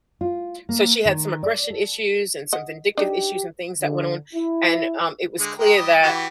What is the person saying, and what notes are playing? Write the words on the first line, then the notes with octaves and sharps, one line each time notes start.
So, she had some aggression issues and some vindictive issues and things that went on, and, um, it was clear that
F4
A#3
D#3
D5
A4
D#5 F#5
D4 D#4 G4
D3
E4
D3 G#3
G#3 G4 A#4
G3 D#5
E3 F#4 G4